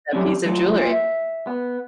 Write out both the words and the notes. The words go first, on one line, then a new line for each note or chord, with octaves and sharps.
that piece of jewelry."
F#3 G3 A3 C4 C#4
F#3 A3 F4
A#3 F4
E5
B3